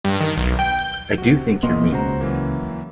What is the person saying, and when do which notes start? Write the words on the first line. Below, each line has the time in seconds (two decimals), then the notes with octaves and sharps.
I do think you’re mean.
0.04 G2
0.20 D#3
0.37 B1
0.59 G5
0.79 G6
1.18 C3 F#4
1.63 A#1 B2 A#3 B3 D#5 C6
1.92 C#2 C#3 F#4 C5 A#5
2.21 E3 F#3 A#3